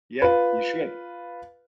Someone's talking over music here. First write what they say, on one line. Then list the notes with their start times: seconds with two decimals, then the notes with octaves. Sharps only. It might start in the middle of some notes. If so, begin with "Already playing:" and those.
Yeah, you should.
0.22 F4 B4